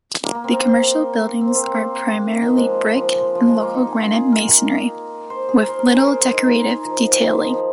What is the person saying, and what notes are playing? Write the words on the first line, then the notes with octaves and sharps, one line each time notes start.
The commercial buildings are primarily brick and local granite masonry, with little decorative detailing.
A#3
A#3
C4
A#4
C5
A#4
C4
C4
A#3
A#3
D#3
F3
G#3
F3
F3
G#3
A#3
D#4
G#4
F4
G#4
A#4
C5
G#4
A#4
C5
A#4
G#4
A#4
C5
G#4
D#4
D#4
F3
F3
D#3
F3